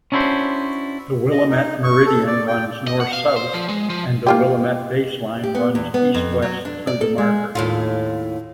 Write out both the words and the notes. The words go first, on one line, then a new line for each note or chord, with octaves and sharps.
The Willamette meridian runs north-south, and the Willamette baseline runs east-west through the marker.
C#4 D4 E4 F#4 C5
D#5
D#4
C#6
A4
D5
G5
D#5
F#5
F5
C5
F3
G#3
F3
A#3 F4 G4
G4
B3
E2
B3
F2
F#3
D4
D5
A4
G#3
D#2 A2 F4